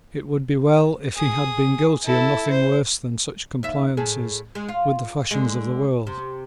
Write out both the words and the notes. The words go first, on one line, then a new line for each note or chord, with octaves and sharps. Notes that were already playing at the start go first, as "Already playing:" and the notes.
It would be well if he had been guilty of nothing worse than such compliances with the fashions of the world.
G#4 D#6
E4 A4
C5
D#2 E5
A2 G#4 A4
G#3
F4
D3 G#3
C3